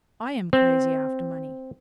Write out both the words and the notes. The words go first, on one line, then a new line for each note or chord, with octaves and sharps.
I am crazy after money.
C4